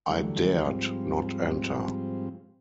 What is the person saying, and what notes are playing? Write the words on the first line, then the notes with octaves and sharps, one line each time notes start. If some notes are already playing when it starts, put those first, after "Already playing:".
I dared not enter.
D3 E3 F#3 G3 A3
G#2 F3 G3 C4